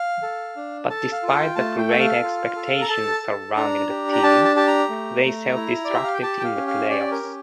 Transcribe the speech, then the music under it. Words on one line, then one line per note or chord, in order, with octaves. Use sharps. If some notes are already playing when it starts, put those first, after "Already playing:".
But despite the great expectations surrounding the team, they self-destructed in the playoffs.
Already playing: F5
A4
D4
A4 A5
F5
F4
F5
G5
A3 A5
G5
A4 E5
F5
F4
A4
A#5
A4 A5
A4
D4 A#5
G4
A#5
D4 A5
A5
G4 A5
A#5
A3
A3
E4
D5
G4 E5
F5
G5
G4 A5
G5
F5
C#4
F5
G4 D5
A#4
C#4